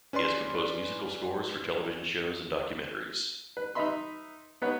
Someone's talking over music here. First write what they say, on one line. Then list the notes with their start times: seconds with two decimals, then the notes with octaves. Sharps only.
He has composed musical scores for television shows and documentaries.
0.13 C#4 B4 D5 C6
3.57 B4
3.75 D#4 B4 D#5 E5 B5 C6
4.62 B3 D#4 B4 C#5 F#5